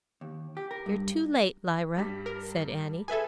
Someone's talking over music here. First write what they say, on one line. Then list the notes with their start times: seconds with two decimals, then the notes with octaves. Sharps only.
"You're too late, Lyra," said Annie.
0.21 D#2
0.57 G4
0.71 A#4
0.86 G2
1.97 G2 G3 B6
2.26 A#4
3.08 G#4 A4 B4 E5 G#5